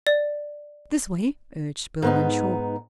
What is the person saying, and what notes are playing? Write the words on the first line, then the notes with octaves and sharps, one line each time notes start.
"This way," urged Bill Renshaw.
D5
G#2 B3 D#4